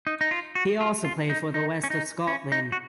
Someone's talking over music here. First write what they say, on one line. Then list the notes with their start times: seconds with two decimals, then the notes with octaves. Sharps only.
He also played for West of Scotland.
0.07 D#4
0.21 D#4
0.31 F4
0.55 F#4
0.81 F4
1.05 F4
1.30 D#4
1.54 D#4
1.84 C#4
1.90 D#4
2.27 C#4
2.52 D#4
2.72 F#4